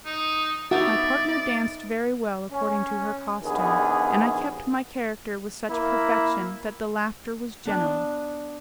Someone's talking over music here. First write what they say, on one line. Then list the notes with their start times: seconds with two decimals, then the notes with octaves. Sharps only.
My partner danced very well according to her costume, and I kept my character with such perfection that the laughter was general.
0.05 D#4
0.71 B3 D#4 F#4 D5 E5
2.50 C#4
3.42 A#1 D#2 B3 G#4
5.70 A#3 E4
7.65 B3 D4